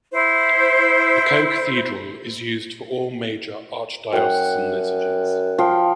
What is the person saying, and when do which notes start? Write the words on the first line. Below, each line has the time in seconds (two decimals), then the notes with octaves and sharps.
The co-cathedral is used for all major archdiocesan liturgies.
0.13 E4 C5
4.13 F#2 F#5 G5
5.58 F3 F5 G5